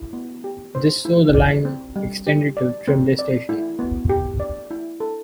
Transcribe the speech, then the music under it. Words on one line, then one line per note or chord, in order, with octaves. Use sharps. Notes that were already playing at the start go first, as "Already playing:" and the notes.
This saw the line extended to Trimley station.
Already playing: E4
B3
G4
C5
E4
D5
C4
G3
G4
D5
C4
D5
E4
B3
G4
D5
E4
A4